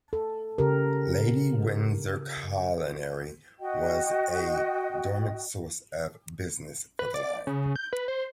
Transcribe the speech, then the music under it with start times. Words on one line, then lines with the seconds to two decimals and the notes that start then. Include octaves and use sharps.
Lady Windsor Colliery was a dominant source of business for the line.
0.13 A4
0.58 C#3 G4 A#4
3.60 F#4 D#5 G5
6.99 B4
7.14 D5
7.47 C#3
7.76 G6
7.93 B4
8.08 C5